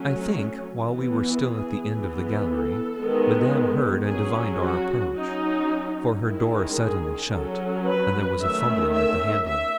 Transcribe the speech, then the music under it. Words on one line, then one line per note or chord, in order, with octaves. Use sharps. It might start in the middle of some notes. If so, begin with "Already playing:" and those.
I think, while we were still at the end of the gallery, Madame heard and divined our approach, for her door suddenly shut, and there was a fumbling at the handle.
Already playing: F#3 A3 C#4
E3 B3
G#4
E3 B3
A4
D#3 G#3 B3
F#3 C#4 G#4
F#4
F#3 C#4 D#4
D#3 G#3 C#4 E4
G#4
F#3 C#4 A4
B4
D#3 A3 C#4 E5
E5
E5